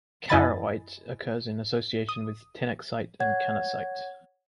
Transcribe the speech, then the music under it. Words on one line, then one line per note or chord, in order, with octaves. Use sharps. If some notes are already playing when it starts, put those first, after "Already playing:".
Charoite occurs in association with tinaksite and canasite.
F#2 E4 D#5 G#5 B5 A6
D#6
C#5 F#5 G#6